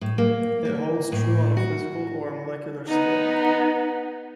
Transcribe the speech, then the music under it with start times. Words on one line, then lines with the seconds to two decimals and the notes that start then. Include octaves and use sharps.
It holds true on a physical or molecular scale.
0.01 A2
0.18 A#3
0.65 A#3
1.12 A2
1.57 F#4
2.87 B3 D#4